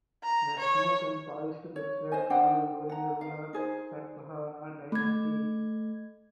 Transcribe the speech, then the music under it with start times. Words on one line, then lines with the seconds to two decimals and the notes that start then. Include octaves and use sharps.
The smooth and polished beds were carved during the rule of Satavahana dynasty.
0.24 A#5
0.59 C#5
1.76 C#5
2.12 C5 D#5 G#5
2.30 D4 C5 F#5 G5
2.89 F#5 A#5
3.21 F5
3.53 D#4 G#4 C5
4.92 A3 G#6